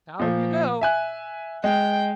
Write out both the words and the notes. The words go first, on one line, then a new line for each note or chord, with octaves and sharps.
'Down you go!
A#2 F3
E5 G#5 F#6
G#3 G5